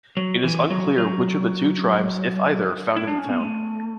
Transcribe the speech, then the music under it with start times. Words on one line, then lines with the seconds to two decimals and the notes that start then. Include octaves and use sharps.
It is unclear which of the two tribes, if either, founded the town.
0.17 F#3
0.43 E3
0.71 F#3
0.98 F#3
2.97 E4
3.07 D4
3.18 C#4
3.29 B3
3.40 A3